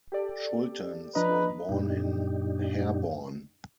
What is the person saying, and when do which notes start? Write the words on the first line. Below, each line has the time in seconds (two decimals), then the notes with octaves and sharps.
Shultens was born in Herborn.
0.12 G4 A4 D5
1.15 F3 D4 B4 D#5 A#5
1.69 F#2 A#2 D4 D#4 G4